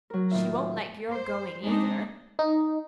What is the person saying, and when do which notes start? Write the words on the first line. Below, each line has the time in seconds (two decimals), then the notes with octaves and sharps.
"She won't like your going, either."
0.10 F#3 A#4
0.31 A2 D#3 F4 E5
1.09 C5
1.61 G#3 C4 D4 D#4
2.39 D#4